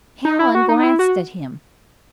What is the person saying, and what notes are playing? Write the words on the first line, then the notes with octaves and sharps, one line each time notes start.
Hallen glanced at him.
D#4
E4
F#4
D#4
D#4
E4
F#4